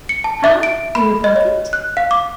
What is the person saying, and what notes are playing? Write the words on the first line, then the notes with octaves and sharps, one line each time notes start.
"How--in your pocket?"
C#7
A5
E5
D7
B5
D#5
C#5
F#6
F5
D6